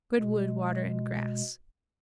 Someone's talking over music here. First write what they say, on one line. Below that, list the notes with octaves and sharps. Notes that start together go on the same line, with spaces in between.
Good wood, water, and grass.
B2 G#3